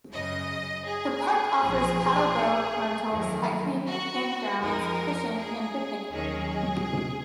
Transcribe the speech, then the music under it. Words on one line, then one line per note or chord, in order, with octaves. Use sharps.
The park offers paddleboat rentals, hiking, camp-grounds, fishing and picnicking.
F#2 C#3 F#3 D#5
G#4
B1 A#2 F3
F2 D#3 F#3 A#3
F#4
F2 F3 G#3 D#4 A#4
G#4
D#2 D#3 F#3 C#4 G#4